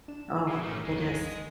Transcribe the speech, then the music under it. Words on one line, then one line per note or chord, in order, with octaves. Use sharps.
Oh, it is.
D4 E7
B2 E4 G#4
F#2 A2 G3 A3 A#4
G1 D#2 G#3 C4
G#3